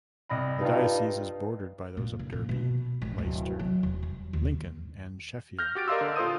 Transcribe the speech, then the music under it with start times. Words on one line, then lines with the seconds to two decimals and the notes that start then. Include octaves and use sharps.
The diocese is bordered by those of Derby, Leicester, Lincoln, and Sheffield.
0.29 C2 D#5 B5
0.61 G2 D#4 F4
1.97 A#2
2.19 D3
2.32 A#2
2.49 B2
3.02 A1
3.18 D1
3.59 F#3
3.83 E1
4.03 G3
4.33 D#2
5.59 F6 G6 A#6
5.75 F#4 G4 A6 D7
5.88 A#4 D5 D#5 F5 C6 E6
6.01 D3
6.16 A#2 F4 A4 C5 D#6 D#7